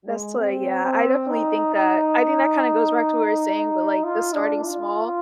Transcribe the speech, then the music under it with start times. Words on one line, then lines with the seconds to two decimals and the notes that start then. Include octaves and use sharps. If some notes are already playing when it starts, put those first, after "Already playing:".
That's why Yeah, I definitely think that I think that kinda goes back to what you were saying, about, like, the starting small.
0.08 G#3
0.38 C4
0.85 C4
1.30 D#4
1.75 D#4
4.04 F4
4.34 D4
4.65 F4